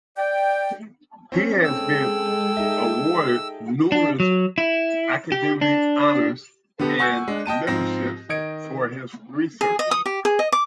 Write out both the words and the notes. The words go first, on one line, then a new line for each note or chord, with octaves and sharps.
He has been awarded numerous academic honours and memberships for his research.
D5 G5
C4 C#4
G#3 G#4 A4 G5 E6
D#4 E5
D4
F#3
E4
G4
D4
D3 B3 G4 A4
F#5 G#5 C#6 E6 F#6 G6
G#3 D4
D#5 G5 A5 D#7
G#2 F3 C4 A#6
D#3 D#5 G#6 D7
G#4
D#5
D#6
G4
G#4
D#5
D6